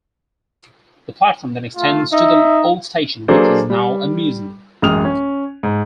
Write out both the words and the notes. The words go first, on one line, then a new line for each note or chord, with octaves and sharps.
The platform then extends to the old station which is now a museum.
A3 F4
D#4 E5
F#3 A#3 D4 G#4 A4 C5
G3
A1 F#2 G#3 D#6 F6 F7
C#4
G#2